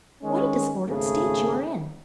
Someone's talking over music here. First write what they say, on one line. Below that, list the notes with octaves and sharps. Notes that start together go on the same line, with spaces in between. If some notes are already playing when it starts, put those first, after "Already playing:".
What a disordered state you are in!
D#3 G#3 C#4
G#1 C#3 A3 G#4